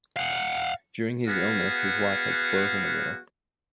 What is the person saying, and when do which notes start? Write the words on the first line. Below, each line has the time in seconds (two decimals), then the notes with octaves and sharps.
During his illness his wife had spoilt him a little.
0.16 F5 F#5
1.28 B3 F#4 G#4 F5